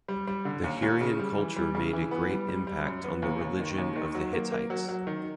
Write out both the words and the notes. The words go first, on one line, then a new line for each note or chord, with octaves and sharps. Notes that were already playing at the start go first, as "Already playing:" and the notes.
The Hurrian culture made a great impact on the religion of the Hittites.
G3
G3
D3
D#2
D#2
C#3
G3
E3
G3
C#3
E3
B3
G3
G3
G3
F#2
B3
D#2
D#2
D#3
D#2
D#3
F#3
A#3
A#3
F#3
F#3
D#3